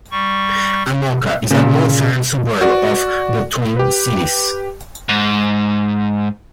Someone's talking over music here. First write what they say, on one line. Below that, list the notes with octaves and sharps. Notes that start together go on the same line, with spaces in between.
Anoka is a northern suburb of the Twin Cities.
G3 C#6
A#2 C#3
F#4 D5
G4 B4
G#2